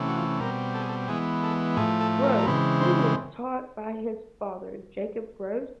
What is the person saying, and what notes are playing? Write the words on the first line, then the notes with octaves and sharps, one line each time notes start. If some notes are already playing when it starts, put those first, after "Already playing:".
Gross, who was taught by his father, Jacob Gross.
Already playing: C3 E3 A3 C#4
F#4
F4
B2 G3 C4 A#4
A4
G#4
A4
E3 G#3 B3 G#4
A4
A2 F3 A3 G#4
A4
A#4
A#4
C#3 E3 G#3 C4 B4
C5